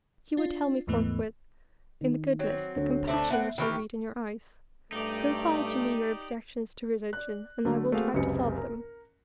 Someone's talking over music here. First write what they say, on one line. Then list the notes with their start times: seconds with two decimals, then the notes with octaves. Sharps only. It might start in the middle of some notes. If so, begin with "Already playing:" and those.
You would tell me forthwith, in the goodness, the compassion, which I read in your eyes; Confide to me your objections to religion, and I will try to solve them.
0.37 D4 F4
0.87 D#2 G#2 E3 A3 B3
2.01 D#3
2.39 F#3 C4
2.76 D2 C#5
3.07 A3 C4 D4
3.30 B3 C4 E5 F#5
3.58 D#3 E3 G4 B5 C#6 F6
4.92 G2 A3 D#4 G4 D5
7.13 D5 F#6
7.65 D3 F#3 A3
7.92 A3 A#3 C4 F#4 G#4 F5
8.14 F#1 C#2 F#2 C3 B4 C#7
8.58 A#4